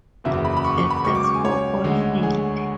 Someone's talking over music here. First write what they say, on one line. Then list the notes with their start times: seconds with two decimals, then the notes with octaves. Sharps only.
The first four all failed.
0.24 F#1 E2 C#3 F#3 E5
0.45 B5
0.57 B5
0.65 C#6
0.78 C#6
0.90 B5
1.04 C#2 C#3 F#3 C#6
1.15 D6
1.24 C#6
1.34 G#5
1.45 C#5
1.84 D2 D3 G#3
2.23 G#4